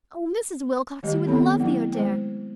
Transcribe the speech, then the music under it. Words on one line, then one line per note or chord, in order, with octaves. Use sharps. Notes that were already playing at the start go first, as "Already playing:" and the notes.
Oh, Mrs. Wilcox, you would love the Oder!
D#3 G3 A3 G4 D#5
D#3 B3 C4 A4 C#5 B5
F#3 A3 E4 F#5
G#3 C5 G5